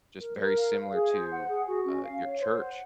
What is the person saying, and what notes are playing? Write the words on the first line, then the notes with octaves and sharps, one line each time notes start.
just very similar to, uh, your church,
A#4
A#4
F5
F5
G#4
C5
F#5
G#4
F#4
C#4
F5
C#5
C5
F#5